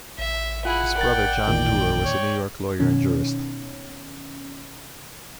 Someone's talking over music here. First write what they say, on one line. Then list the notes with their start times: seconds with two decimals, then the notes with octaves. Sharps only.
His brother John Duer was a New York lawyer and jurist.
0.18 A1 E5
0.65 E4 F4 G#4 F#5
0.98 A#4 D5 G5 A6
1.48 E2 A#2 D#3
2.04 C#5
2.80 B2 D#3 C#4